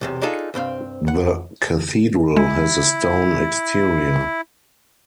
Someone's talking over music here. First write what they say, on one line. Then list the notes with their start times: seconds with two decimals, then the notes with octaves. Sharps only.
The Cathedral has a stone exterior.
0.01 B1 E2 C3
0.22 D4 D#4 F4 G#4 A4
0.54 C2 G2 C4 F5
1.08 F#5
2.37 G#3 E4